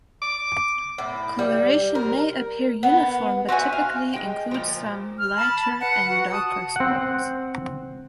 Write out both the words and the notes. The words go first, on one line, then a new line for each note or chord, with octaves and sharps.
Coloration may appear uniform but typically includes some lighter and darker spots.
D6
A2
G3
A#4
B3
C4 F#4 E5 G#5
F5
G#3 G5
A#2 F3
F6
A5 B5
B4 F#5
F#4
A5 D#6
C4 F#5